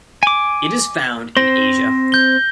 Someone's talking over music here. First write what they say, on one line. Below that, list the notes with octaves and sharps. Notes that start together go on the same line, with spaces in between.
It is found in Asia.
G#5 D6
C4 C5 A#6
G6 G7